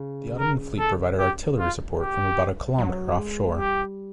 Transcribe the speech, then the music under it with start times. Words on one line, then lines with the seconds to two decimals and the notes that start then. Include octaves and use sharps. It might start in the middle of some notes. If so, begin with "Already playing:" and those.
The Ottoman fleet provided artillery support, from about a kilometer off shore.
Already playing: C#3
0.39 A#4
0.79 A4
1.19 G4
1.59 F4
1.99 G4
2.79 F#3
3.18 G#3
3.58 G3 G4